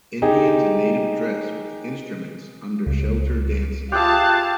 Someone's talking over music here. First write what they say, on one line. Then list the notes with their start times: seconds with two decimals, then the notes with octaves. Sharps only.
Indians in native dress with instruments under shelter dancing.
0.22 D#4 G4 G#4
2.86 C#2
3.92 F4 G4 G#4 E5 F5 A5 F#6